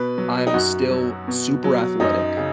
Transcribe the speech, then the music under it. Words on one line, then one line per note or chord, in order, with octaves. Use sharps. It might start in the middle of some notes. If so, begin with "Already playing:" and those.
I'm still super athletic,
Already playing: B2 B4
F#3
D#4
F#2 F#4
F#3
B2
F#3
F#2 D#4
C#3